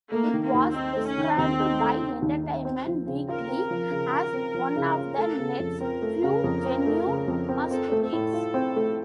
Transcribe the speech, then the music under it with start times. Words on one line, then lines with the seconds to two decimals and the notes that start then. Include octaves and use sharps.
It was described by "Entertainment Weekly" as one of the Net's "few genuine must-reads".
0.11 A3 A#3
0.34 D#3
0.44 A#3
0.54 D#2
0.75 C4 D#4
0.97 A3
1.07 C#4
1.18 D#3
1.38 D#2 C4
1.60 D#4
1.80 A3
2.02 D#3
2.22 D#2
2.43 D#4
2.65 C4
2.87 F3
3.07 C#3
3.28 F4 A#4
3.48 C4
3.71 F3
3.91 C#3
4.12 F4
4.33 C4
4.54 F3
4.76 C#3
4.97 F4
5.18 A3 A4
5.39 C#3
5.60 F2
5.81 C4 A#4
6.02 A3
6.23 C#3
6.44 F2
6.66 C4
6.86 A3
7.07 C#3
7.28 F2
7.49 C4
7.70 C4 A4
7.92 A3
8.02 A4
8.13 A2
8.33 F4
8.54 C4
8.76 A3